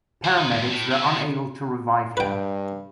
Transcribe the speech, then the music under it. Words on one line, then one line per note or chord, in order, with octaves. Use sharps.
Paramedics were unable to revive her.
C5 D5
D#3 D#4
D#2 G#2
A2
C4 G#4
C#3
G2 B4 G5